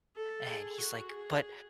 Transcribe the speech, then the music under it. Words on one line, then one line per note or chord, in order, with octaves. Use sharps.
And he's like, "But
A4
G#4
F#4
G#4